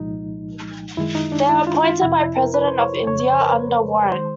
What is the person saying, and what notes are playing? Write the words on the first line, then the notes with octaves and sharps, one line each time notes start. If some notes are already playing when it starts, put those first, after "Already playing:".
They are appointed by President of India under warrant.
Already playing: C2 A#2 F3 G#3 D#4
F#2 D#3 G#3 E4
D#4
D4
E4
F4
F4
F2 C3 F3 E4
E4
A#4
B4
C5
C#5
F2 C#3 F3 C#5
C#5
C5
A#4
B4
D#3 G#3 C5